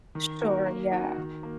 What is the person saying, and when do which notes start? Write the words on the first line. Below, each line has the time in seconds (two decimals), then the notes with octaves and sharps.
Sure, yeah.
0.15 D#3
0.41 A#3 D#4 F#4 A#4
0.66 A#3
0.92 D#4 F#4
1.18 D#3
1.43 A#3